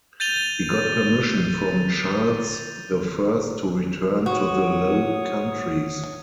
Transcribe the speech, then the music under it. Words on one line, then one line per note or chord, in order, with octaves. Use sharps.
He got permission from Charles the First to return to the Low Countries.
G6 A6 D#7 F7 G7
F#4 C#5 D#6